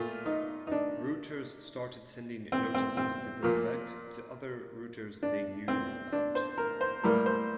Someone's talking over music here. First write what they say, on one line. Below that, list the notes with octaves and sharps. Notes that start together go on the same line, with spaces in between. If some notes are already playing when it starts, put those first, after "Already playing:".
Routers started sending notices to this effect to other routers they knew about.
Already playing: A#2 A3 F4
D#4
D#4
D4
C4
C4
C4
A#2 F3 A#3
D4
C4
D4
C5
A#4
C5
A2 G3 A#3 A#4
C5